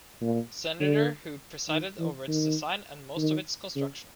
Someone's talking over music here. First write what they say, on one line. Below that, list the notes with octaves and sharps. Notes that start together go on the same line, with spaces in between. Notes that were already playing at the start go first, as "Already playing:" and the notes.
Senator who presided over its design and most of its construction.
A#2
D3
D#3
E3
D#3
D#3
C#3